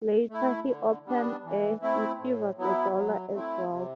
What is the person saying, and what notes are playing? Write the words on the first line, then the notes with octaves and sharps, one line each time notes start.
Later he opened a "Yeshiva Gedola" as well.
A3 E4
D3
G3 B3 D4
E3
A3 C4 E4
A2
F#3 B3 E4
F#3
A3 C4 E4
C3